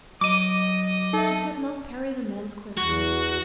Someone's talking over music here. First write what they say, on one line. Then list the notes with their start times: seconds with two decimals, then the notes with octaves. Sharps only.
She could not parry the man's questions.
0.21 F#3 D#5 D6 D#7
1.13 D#4 A4 E5
2.77 E2 F#4